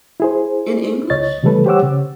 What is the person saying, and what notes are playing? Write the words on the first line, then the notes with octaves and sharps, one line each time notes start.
in English?
E4 G#4 C5
C#2 C#5 D#5 A6
C#3 E3 G3 A3 A4 B4
G4 C5 C#5 F#5 D6 E6
C#3